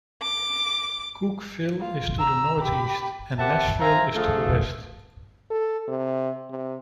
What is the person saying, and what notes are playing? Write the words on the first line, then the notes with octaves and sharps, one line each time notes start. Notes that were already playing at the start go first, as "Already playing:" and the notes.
Cookeville is to the northeast, and Nashville is to the west.
D6
F4
A#5 E6
G4 B5
C4 G4 A#4 E5 F#5 A5
C5 E5 F5 G#5 A#5
D3 F3 A3 F4 G#4 A4
A4
C3
C3